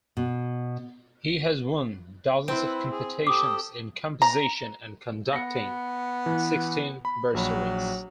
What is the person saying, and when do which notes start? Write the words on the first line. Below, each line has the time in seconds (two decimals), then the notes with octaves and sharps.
He has won dozens of competitions in composition and conducting, and sixteen bursaries.
0.17 B2
2.48 C4 E4 B4
2.91 G#4
3.27 G4 A4 D6 D#6
4.22 A#5
5.33 B3 A#6 C#7
6.26 E3
7.05 B5
7.34 A#1 F#3 B5